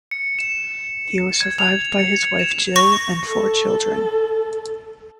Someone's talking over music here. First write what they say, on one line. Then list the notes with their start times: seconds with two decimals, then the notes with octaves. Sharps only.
He was survived by his wife Jill and four children.
0.11 C#7
0.39 E7
1.41 G#6
1.59 F7
1.99 C#7
2.39 E7
2.76 C#6 A#6
3.27 A4